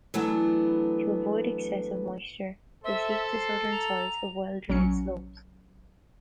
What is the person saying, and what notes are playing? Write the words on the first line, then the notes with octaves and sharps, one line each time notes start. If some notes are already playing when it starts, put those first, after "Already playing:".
To avoid excessive moisture, they seek the southern side of well drained slopes.
E3 F#3 A3 B3 D4
A4 C5 E5
C7
A#5 F7
A#1 F#3 C#4 C#7